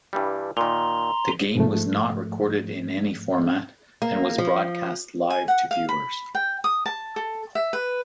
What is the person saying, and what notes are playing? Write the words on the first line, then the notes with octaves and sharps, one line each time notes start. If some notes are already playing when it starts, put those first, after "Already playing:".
The game was not recorded in any format and was broadcast live to viewers.
G2 E3 G3
A#2 D#3 A#5 C6
G#2 F3 A3
A#3
F3
G#5
F#5
F5
B5
G5
D#6
A5
A4
E5
B4